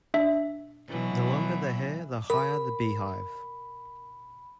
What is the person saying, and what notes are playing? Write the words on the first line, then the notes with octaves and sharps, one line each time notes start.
The longer the hair, the higher the beehive.
D4 E5
B2 E3 F#3
A#4 B5